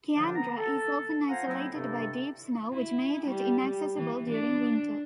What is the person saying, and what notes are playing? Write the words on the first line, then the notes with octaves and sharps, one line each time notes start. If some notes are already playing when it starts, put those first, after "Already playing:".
Kiandra is often isolated by deep snow which made it inaccessible during winter.
A2 D3 E3 F3 G3 D4
B3 A#5
A4
F4 C5 F#5 G#5 A#5
F3 F#3 A#3 C4 D#4 E4
G2 C3 D4 A4
E4
G3
E3
D4